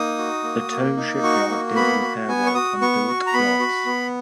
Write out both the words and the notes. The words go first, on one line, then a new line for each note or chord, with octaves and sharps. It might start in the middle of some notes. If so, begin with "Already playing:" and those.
The tow shipyard did repair work on built yachts.
Already playing: A#3 D#4 D#6
F#4
A#3
A#3
D#4
F#4 C#6
A#3
B3 B5
F#4
B3 G#5
C#6
F#4 D#6
B3 C#6
F#4
A#5
B3 B5
F#4
B3